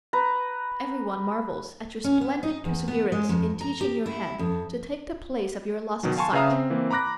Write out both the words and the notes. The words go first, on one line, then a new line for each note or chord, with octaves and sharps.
Every one marvels at your splendid perseverance in teaching your hand to take the place of your lost sight.
B4 A#5
C#4
B3
D#4
E2
B3
G#3
F2
A#5
G4
E4
F2
B2 D#3 F#3
F5 G#5 A5 C6 C#6
C#3 B4 E5 F5 A#5 D#6
C4
E3 A#3 C4
A#5 B5 D6 F#6 A#6